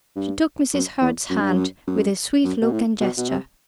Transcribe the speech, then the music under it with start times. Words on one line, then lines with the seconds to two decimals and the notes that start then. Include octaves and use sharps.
She took Mrs. Hurd's hand with a sweet look and gesture.
0.16 G2
0.73 F#2
1.01 E2
1.30 F#2
1.42 G2
1.55 F#2
1.87 F#2
2.44 F#2
2.61 B2
2.72 A2
3.00 B2
3.17 B2
3.29 C3